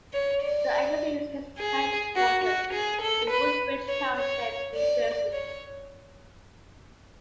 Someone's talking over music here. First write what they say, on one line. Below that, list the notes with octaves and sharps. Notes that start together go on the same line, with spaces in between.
The agency is headquartered in Woodbridge Township, New Jersey.
C#5
D5
G#4
F#4
F#4
G#4
A4
B4
C#5
C#5
D5
C#5